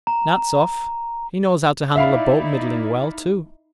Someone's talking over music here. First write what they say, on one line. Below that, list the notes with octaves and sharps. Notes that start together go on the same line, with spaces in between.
Nat's off--he knows how to handle a boat middling well, too.
A#5
D#4 E4 D5 E5 F5 B5